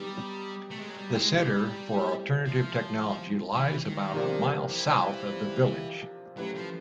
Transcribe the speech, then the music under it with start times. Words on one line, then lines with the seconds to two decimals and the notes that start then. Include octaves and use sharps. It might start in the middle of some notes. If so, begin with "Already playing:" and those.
The Centre for Alternative Technology lies about a mile south of the village.
Already playing: F#3 G3 B3 D#4 G4
0.70 A3
0.78 G#3
0.89 F#3
0.97 G3
1.15 G#3
1.34 G3
1.90 A3 C4 E4 G4
2.46 F3
3.57 E3
3.85 D#3
4.14 C3 F3 A#3 D4 F4
4.69 E3
6.36 F#3 A3 C#4 E4 G4 B4
6.55 F3